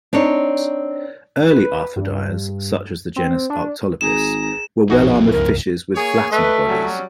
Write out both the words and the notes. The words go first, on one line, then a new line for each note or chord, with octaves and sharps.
Early arthrodires, such as the genus "Arctolepis", were well-armoured fishes with flattened bodies.
C4 D4 D#4 C#5
B4
G2
C4
D4
G#1 G#4 A#5 E7
A#1 F2 A#3 D#4 E4 F#4 G#4
C#2 G2 A#4
A#3 G#4 C#5
A3 B4 D#5
F#3 G3 C#4